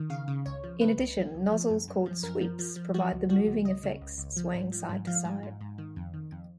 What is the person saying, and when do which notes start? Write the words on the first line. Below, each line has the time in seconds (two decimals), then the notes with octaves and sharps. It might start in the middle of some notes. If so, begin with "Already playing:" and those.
In addition, nozzles called "sweeps" provide the moving effects, swaying side-to-side.
Already playing: D#3
0.10 C#3 F5
0.28 C#3
0.46 C#2 C#5
0.64 F3
0.81 C#3 B4
0.99 C#2
1.17 F3
1.35 C#2
1.52 F3
1.70 F#2
1.88 F#2
2.06 F3
2.23 F#2 A#4
2.41 F3
2.59 F3
2.76 F3
2.94 F3 F#4
3.12 C#2
3.29 F3 F#4
3.47 C#2
3.65 C#2 D#5
3.83 C#3
4.01 C#2
4.18 C#2
4.37 F3
4.54 G#2
4.72 F3
4.89 G#2
5.07 F3 F5
5.25 G#2
5.43 G#2
5.61 G#2
5.78 D#3
5.96 F2
6.14 D#3
6.32 F2